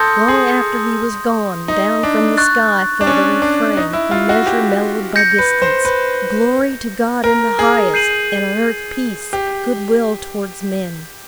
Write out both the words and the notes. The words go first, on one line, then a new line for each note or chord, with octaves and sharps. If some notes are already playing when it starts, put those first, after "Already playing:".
Long after he was gone, down from the sky fell the refrain in measure mellowed by distance, "Glory to God in the highest, and on earth peace, good-will towards men."
Already playing: A4 C6 D#6 G6 A#6 C#7
G#4
D#4
D4
C#6 F#6 A6
D4
C#4
D4
D#4
E4
F4
F#4
G4
G6 A#6 C#7
B4
C5
B4
A#4
G#4
G6 C7 D#7 F#7
G4